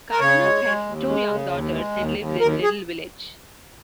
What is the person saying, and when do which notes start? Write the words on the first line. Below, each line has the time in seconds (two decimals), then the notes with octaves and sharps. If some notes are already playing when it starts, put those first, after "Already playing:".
Cardenas has two young daughters and lives in Little Village.
0.11 A#4
0.20 C#3 C#5
0.42 G#3
0.64 G#3
0.86 D#2
1.07 G#3
1.30 C#3
1.52 D#2
1.75 G#3
1.96 D#2
2.18 D#2
2.41 D#2 A#4
2.63 G#4